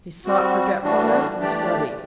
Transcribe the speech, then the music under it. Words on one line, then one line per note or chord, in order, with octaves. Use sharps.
He sought forgetfulness in study.
G3 C4 F#4
A2 E3 G3 D4 F#4
E3 A3 D4 G4 D5